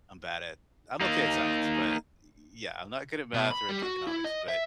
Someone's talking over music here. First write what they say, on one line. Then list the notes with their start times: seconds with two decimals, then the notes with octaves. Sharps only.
I'm bad at I'm okay at Science, but y yeah, I'm not good at Math or Eco Economics, but
1.01 A#3 D#4
3.34 B2
3.51 B5
3.69 G3
3.83 F#4
4.07 E4
4.24 D#5
4.48 E5